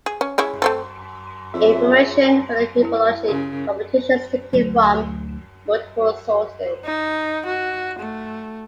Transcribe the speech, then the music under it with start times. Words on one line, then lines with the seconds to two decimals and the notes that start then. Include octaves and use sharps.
Information for the hippology competitions is taken from multiple sources.
0.06 G#4
0.21 C#4
0.38 G#3 C#4 E4
0.62 A3 C4 A4
1.54 F2 F4 G#4 C#5 E5
2.83 E4 A#4
3.28 C#3 F#4 A#4
4.53 D2 F#3
6.85 D#4
7.46 F#4
7.99 A3